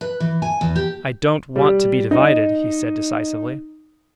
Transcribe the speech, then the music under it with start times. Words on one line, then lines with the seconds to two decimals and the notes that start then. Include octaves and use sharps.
"I don't want to be divided," he said decisively.
0.01 B4
0.20 E3
0.42 G#5
0.61 E2
0.76 G4
1.56 G3
2.11 D#4